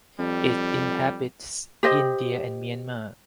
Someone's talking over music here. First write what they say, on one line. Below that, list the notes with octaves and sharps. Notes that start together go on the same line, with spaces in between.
It inhabits India and Myanmar.
F2 G3
G4 C5 D#5